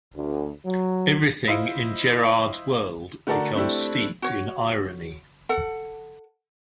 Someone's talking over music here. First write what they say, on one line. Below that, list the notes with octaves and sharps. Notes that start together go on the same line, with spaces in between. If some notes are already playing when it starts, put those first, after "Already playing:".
Everything in Gerard's world becomes steeped in irony.
D2
F#3
E4 F4 C5 D#5
D3 A3 F#4 A4 A#4 D5
A3 C4 D4 E4 G4
F#4 C#5
A4 F#5